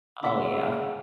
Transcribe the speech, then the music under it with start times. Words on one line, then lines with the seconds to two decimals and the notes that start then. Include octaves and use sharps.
Oh yeah.
0.23 C#3 E4 E5 F#5